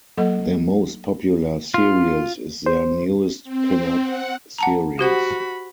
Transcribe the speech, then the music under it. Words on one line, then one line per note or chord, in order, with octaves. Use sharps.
Their most popular series is their newest Pinup Series.
F#3 A#3 A4 D#5 F#5
F4
C5
C4
F#5
F#5 A5 A#5
F#4 G4 C5 F#5 B5